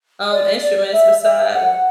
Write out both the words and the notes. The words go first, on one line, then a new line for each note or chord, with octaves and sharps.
um, instruments beside
D5
D5
E5
E5
F#5